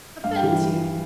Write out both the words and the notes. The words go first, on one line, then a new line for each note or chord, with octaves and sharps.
'Offends you!
G2 F5
G5
E3 G3